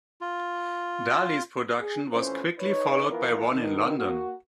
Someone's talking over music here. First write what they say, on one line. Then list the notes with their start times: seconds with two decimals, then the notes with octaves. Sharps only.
Daly's production was quickly followed by one in London.
0.21 F4
1.80 G#4
2.13 F2 A2 E3 F3 C#4 C5
2.59 D#4 B4 C#5
3.08 E3 F3 B3 E4 F4 A#4
3.51 B2 D#3
3.98 A#3 F#4